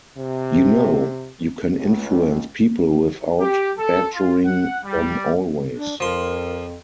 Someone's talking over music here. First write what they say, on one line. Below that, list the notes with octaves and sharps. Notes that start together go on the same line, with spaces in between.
You know, you can influence people without badgering them always.
C3
C#2
G4
A4
F4
F#5
G3
D4
F2 F3 A#4 C6